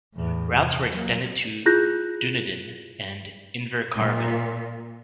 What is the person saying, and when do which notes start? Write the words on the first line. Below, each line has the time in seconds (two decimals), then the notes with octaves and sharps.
Routes were extended to Dunedin and Invercargill.
0.13 E2 A2
0.58 C3
0.90 F#3 A#3
1.66 E4 F4 G#4 F#6 G6 A#6
3.95 A#2